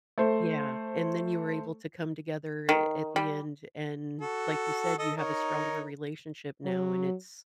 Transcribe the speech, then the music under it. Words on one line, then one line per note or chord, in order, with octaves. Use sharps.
Yeah, and then you were able to come together at the end, and, like you said, you have a stronger relationship now, and it's
A3 C5
D#3
G3
F#4 A4
A4 D#5
D#4 A#4 C#5
F#3